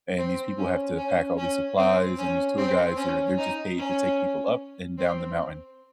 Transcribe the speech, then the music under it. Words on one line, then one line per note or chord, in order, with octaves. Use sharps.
and these people have to pack all these supplies, and these tour guides are they're just paid to take people up and down the mountain,
C4
C#4
C#4
C#4
C4
C#4
C4
C#4
D#4
C#4
C4